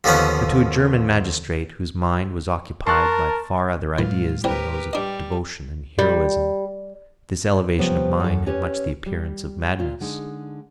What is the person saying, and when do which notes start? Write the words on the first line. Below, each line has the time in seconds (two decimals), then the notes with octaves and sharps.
But to a Genevan magistrate, whose mind was occupied by far other ideas than those of devotion and heroism, this elevation of mind had much the appearance of madness.
0.04 D#2 D3 F3 B3 C#4 F#5
2.87 A#4 A5 C6 C#6 F#6 A6
3.98 A2 E3 F#3 G#3 F4
4.44 C3 E3 G3 G4 A#4 B4
4.93 G3 D4 D#5
5.99 G3
7.78 C3 F3 G3 B3 C#4
8.20 F#2 A4
8.46 C#4 G4 B4 C#5
9.06 G3
9.79 A#2 F4
10.00 D3 G#3 D#4